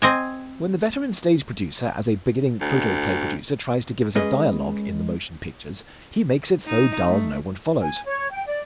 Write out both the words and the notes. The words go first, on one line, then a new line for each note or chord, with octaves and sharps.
When the veteran stage-producer as a beginning photoplay producer tries to give us a dialogue in the motion pictures, he makes it so dull no one follows.
C4 D#5 G#5
D2
G#3 C#4 G#4 B4 D#5
D#4
A3
G#5
C#5
G5
D5